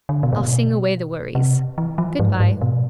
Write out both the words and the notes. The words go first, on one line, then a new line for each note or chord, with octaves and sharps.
I'll sing away the worries, Good-bye.'
D3
B2
A2
B2
C3
E3
F3
G#2
G#2
B2